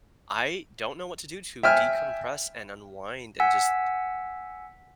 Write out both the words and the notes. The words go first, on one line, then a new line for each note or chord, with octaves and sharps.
I don't know what to do to decompress and unwind and just
E5 G5 G#5 F6
F#5 G#5 E6 B6